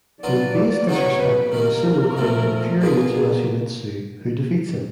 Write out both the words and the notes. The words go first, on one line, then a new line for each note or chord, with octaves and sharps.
His base disrespect for the sumo code infuriates Yoshimitsu, who defeats him.
F#3 B3 D4 F4 D5
C#3 F#3 B3 D#4 C#5
B4
D#3 G3 A#3 A#4
A#2 F3 A3
B2 G3 A#3 D4 F4 G#4